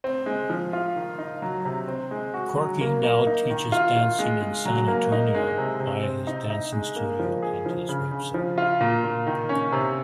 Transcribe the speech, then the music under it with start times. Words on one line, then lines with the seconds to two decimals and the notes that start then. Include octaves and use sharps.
Corky now teaches dancing in San Antonio via his dancing studio, and his website.
0.04 C4
0.26 G#3
0.50 F3
0.73 F4
0.96 D#3
1.18 D#4
1.42 F#3
1.65 C3
1.88 C4
2.11 G#3
2.34 F#4
2.57 F#3
2.81 A#3
3.03 A#3
3.27 D#4
3.50 D#3
3.72 F4
3.96 F4
4.19 G#3
4.42 G#3
4.65 F#3
4.88 A#3
5.12 D#4
5.35 G#3
5.58 C3
5.80 C3
6.03 C4
6.27 D#4
6.50 D#4
6.73 G#3
6.96 A#3
7.19 F3
7.42 G#4
7.66 F3
7.89 C#3
8.11 C#3
8.34 F3
8.58 F4
8.81 A#2
9.04 A#2
9.27 D#3
9.49 C#4
9.72 C3